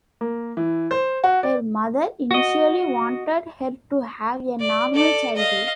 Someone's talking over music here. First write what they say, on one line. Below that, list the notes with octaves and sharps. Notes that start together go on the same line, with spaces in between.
Her mother initially wanted her to have a normal childhood.
A#3
E3
C5
F#4
D5
F#4 D#5
D5
A4 D5
D#5 F5